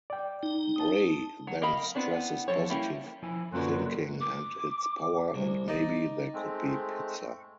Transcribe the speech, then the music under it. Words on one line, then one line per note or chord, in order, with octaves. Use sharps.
Bray then stresses positive thinking and its power and maybe there could be pizza.
D5 G5
D#4
A5 D#6
F#3
A#4 D#5 F5 A#5 B5
B3 C4 D4 E4
F3 A3 A4 C#5
G3 A#3 C#4 E4 G4
F3 E4 G#5
F#2 D3 F#3 A#3 F4 B4 D5
D6
C2
D#4 D5
G#3 A3 C4